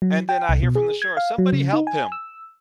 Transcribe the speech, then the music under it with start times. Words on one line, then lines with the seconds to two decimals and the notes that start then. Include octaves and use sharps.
and then I hear from the shore, "Somebody help him,"
0.02 F#3
0.29 G5
0.49 C2
0.63 B2
0.75 G#4
1.02 G#6
1.17 F5
1.38 F#3
1.53 C#3
1.73 D#4
1.87 G#5
2.12 E6